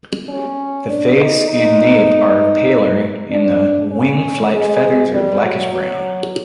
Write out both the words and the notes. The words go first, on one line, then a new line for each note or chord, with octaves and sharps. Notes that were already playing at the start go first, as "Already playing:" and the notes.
The face and nape are paler and the wing flight feathers are blackish-brown.
C#4
D4
D#4
D#4
D4
C#4
G#3
G3
F#3
F#3